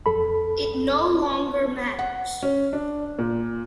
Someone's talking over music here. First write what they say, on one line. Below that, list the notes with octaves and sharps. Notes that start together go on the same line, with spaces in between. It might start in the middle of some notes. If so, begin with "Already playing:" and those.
It no longer matters.
F2 A4 B5
F#5
C#4
D4
A#2